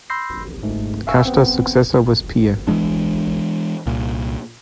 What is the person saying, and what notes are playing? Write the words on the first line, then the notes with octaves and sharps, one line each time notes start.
Kashta's successor was Piye.
B5 C6 E6 G6 A#6 C7
G#2 A3
E5 F5 G#5 C#6 E6
B3 C4
E3 F#3 G#3 D4
C2 A#2